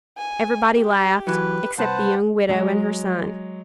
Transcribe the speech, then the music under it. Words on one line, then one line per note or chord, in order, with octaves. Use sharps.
Everybody laughed, except the young widow and her son.
G#5
G4
E3 F#3 B4
C2 B4 C5 F#5 A5
F#3 G#3